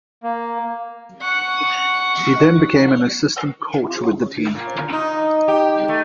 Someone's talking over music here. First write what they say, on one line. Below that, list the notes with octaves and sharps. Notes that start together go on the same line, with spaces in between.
He then became an assistant coach with the team.
A#3
F#5 C#6
A#2
D#4
G4
A3